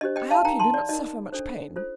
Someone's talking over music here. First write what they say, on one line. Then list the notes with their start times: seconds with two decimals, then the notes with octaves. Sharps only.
"I hope you do not suffer much pain!"
0.01 D4 G4 C5 D#5
0.16 D#5 G5
0.31 F5 A5
0.45 D#4 A#4 G5 A#5
0.60 A5 C6
0.74 D5
0.89 D#4 A#4 D#5
1.32 D4 A4 C5
1.76 F4 A4 C5